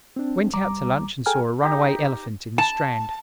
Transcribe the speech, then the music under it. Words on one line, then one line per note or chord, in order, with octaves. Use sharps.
Went out to lunch and saw a runaway elephant in the Strand.
C4 D4
C2 G3 A#5 D6
G#4 A4 G5 G#5 A#5 F6
D#4 G4
A5